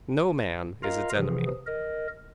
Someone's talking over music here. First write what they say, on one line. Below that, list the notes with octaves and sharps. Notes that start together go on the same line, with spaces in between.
No man is its enemy.
F4 A#4 D#5 F5 A#5
C3 E3 F3 G#4
A#4 D#5